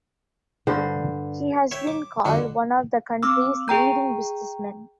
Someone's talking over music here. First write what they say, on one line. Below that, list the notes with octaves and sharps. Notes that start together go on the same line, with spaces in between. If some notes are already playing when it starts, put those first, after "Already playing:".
He has been called "one of the country's leading businessmen".
G2 D3 C5
C#5 E5 G5
D6
F2 D3 F#4
C4 D6 E6
G#4 G5 A#5 G6